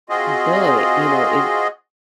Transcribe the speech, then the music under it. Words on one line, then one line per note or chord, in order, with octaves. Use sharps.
but, you know, if
C4 F4 F#4 G#4 D#5